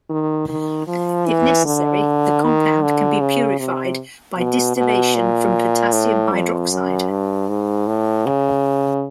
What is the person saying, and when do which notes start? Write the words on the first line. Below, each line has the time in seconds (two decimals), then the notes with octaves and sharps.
If necessary, the compound can be purified by distillation from potassium hydroxide.
0.09 D#3
0.48 D#3
0.87 F3
1.26 E3
1.65 D3
2.43 D#3
2.82 D3
3.20 C#3
3.59 C3
4.37 B2
4.76 B2
5.15 A#2
5.93 A2
6.32 F2
6.70 F#2
7.10 G2
7.49 G#2
7.87 A2
8.26 C#3